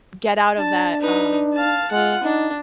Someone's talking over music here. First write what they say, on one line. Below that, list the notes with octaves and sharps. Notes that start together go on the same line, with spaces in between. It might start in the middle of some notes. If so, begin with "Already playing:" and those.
get out of that, um,
D4 A5
D#4 B4
F5 A5
G#3 F4 F#5
D4 D#4